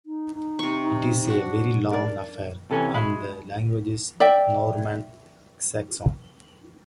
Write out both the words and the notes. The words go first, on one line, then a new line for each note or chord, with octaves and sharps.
It is a very long affair, and the language is Norman-Saxon.
D#4
D#4
C3 C#6
D4 F#4
D4 A#4 D5
C3 E3 C#4 A4 G#5
G#3 F#4 E5 B5
D5 E5 G5